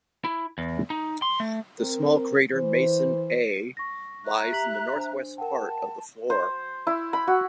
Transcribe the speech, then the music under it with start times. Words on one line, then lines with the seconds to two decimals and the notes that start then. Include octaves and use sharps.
The small crater Mason A lies in the northwest part of the floor.
0.25 E4
0.58 E2
0.90 D#4
1.22 C6
1.40 A3
1.79 C4 A#4
2.54 E3 C5
3.77 C#6 A#6
4.25 E5 A#5 F#6
4.52 G4 B6 F#7
4.96 D4 C5
5.38 A#4 F#5 G5 A5
6.30 C5
6.87 E4
7.13 B5
7.27 F#4